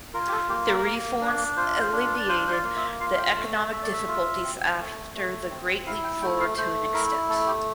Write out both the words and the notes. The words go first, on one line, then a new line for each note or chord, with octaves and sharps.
The reforms alleviated the economic difficulties after the Great Leap Forward to an extent.
F4 A#4
G4
A4
A#3 G4
A#4
A#3
D4
F4 C5
C5
D4
D5
F4 C5
C5
D5
A#3
E5
F4 F5
F5
G5
A3 A5
A5
A3 E5
D5
E5
F4
C4
A3
A3
C4
E4 F5
G5
A3 G5
F5
A3 C5
E4 A#4
A3 A4
G4